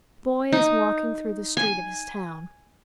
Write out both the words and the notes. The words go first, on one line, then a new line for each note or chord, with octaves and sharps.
The boy is walking through the street of his town.
D#4
G#5